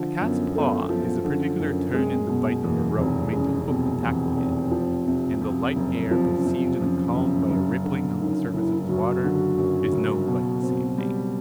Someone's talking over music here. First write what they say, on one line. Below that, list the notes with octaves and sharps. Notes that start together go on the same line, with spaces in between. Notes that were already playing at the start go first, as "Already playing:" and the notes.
A Cat's-paw is a particular turn in the bight of a rope made to hook a tackle in; and the light air perceived in a calm by a rippling on the surface of the water, is known by the same name.
Already playing: D3 F3 A3
F#2 B3
A3 B3
F3 B3
D3 C#4
F#2 C#4
G#3 C4
B2 B3
E2 A#3
F1 C4
G#3 C#4
B2 C4
E2 C4
F1
F3
C3
F2
F#1
F3 C4
C#4
C3
C4
F2 C#4
F#1
F#1
D3
F#2 D#4
F#1 E4
F#1 F#4
D3
F#2
F#1
B2
C4
G3